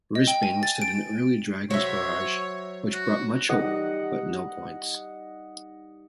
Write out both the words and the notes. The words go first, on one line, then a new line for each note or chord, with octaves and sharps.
Brisbane withstood an early Dragons barrage which brought much hope but no points.
D#5
G5
G#5
A6
D7
F#3 C5 C#5 E5
F#4
G3 D#4 D#5 F#5